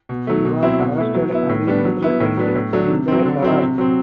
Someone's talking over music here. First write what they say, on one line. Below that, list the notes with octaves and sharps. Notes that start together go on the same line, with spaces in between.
He was arrested and imprisoned in the Tower.
B2
F#3 A3
B2
F#3 C4 E4
B2
A3 E4
F#3
B3 E4
A2
G3 B3 D4
F#3
B3 E4
A2
F#3 B3 D4
A2
F#3 A3 D4
C3
F#3 C4
D3
F#3 C4 E4
C3
F#3 C4